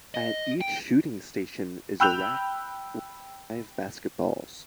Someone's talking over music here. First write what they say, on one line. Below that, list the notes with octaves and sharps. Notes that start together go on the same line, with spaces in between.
At each shooting station is a rack with five basketballs.
D#5
G5
G5 B5 E6 F#6 G6 F7